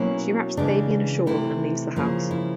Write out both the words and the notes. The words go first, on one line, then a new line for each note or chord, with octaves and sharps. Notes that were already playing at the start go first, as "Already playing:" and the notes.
She wraps the baby in a shawl and leaves the house.
Already playing: B2 F#3 A#3 C#4 E4
C#3 E3 G#3 D4
C3 E3 A3 E4
C#3 F3 A#3
E4